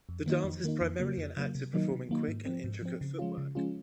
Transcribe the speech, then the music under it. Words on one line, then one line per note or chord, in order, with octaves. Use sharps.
The dance is primarily an act of performing quick and intricate footwork.
F2
D#3 A#3 D#4
F2
D#3 A#3 D#4
F2
C#3 F#3 A#3
F2
C#3 F#3 A#3
C3
D#3 F#3 A#3 D#4
C3
D#3 F#3 A#3 D#4
G#2
F3 C4
G#2
F3 C4
C#3
F3 G#3 C#4 F4
C#3
F3 G#3 C#4 F4